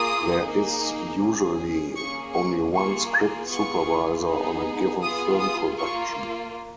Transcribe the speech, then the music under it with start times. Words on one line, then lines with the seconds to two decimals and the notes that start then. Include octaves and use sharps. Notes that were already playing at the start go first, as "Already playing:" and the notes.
There is usually only one script supervisor on a given film production.
Already playing: A#3 F4 G#4 D#6
0.43 A#3 D#4 G#4
1.20 C#4 G#4
1.96 A#3 C#4 G#4 C#6
2.34 C#6
2.73 A#3 F4 G#4 C#6
3.49 B3 F4 G#4 C#6
4.26 B3 D#4 G#4
5.02 B3 F4 G#4 D#6
5.40 D#6
5.78 A#3 F4 C#6